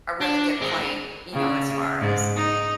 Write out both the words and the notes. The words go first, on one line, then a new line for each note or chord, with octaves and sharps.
a really good point, you know, as far as
D4
G#3 C4
C#3
G#2
D#4